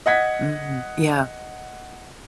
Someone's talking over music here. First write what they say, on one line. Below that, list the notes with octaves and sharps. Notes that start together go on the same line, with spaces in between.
Mm, yeah.
D#5 F#5 G#6 B6